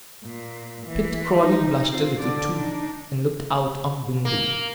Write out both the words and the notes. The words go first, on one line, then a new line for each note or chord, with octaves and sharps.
Pitt Crawley blushed a little too, and looked out of window.
A#2
E3
D#4
C4 F4
D3 D5
D4 D#4
A#3